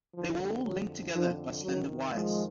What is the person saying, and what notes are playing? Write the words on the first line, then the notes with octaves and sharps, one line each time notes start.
They were all linked together by slender wires.
F2 D3 F3
F2 D3 F#3
F2 D3 F3
F2 D#3 F#3
F2 D#3 F3 G#3